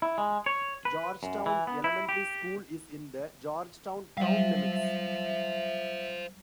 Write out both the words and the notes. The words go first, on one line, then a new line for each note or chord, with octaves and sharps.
Georgetown Elementary School is in the Georgetown town limits.
E4
G#3
C#5
B4
F#2
E3
B3
E4
G4
F#3 G3 C5 E5 F5